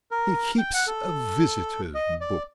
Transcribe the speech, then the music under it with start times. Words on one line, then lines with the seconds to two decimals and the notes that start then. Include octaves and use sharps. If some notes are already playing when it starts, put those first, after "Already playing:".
"He keeps a visitors' book."
0.11 A#4
0.58 G5
0.74 F#5
0.87 A4
1.94 D#5
2.21 D5